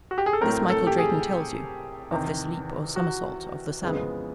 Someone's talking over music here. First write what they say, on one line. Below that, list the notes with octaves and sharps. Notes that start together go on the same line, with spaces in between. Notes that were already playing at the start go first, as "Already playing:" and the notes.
This Michael Drayton tells you, of this leap or summersault of the Salmon.
F#4
G4
G#4
A4
A2 F#3 A3 C4 A#4
A4
G4
G#4
E2 C3 D#3
F#4
F2 C#3 E3 G#3 B3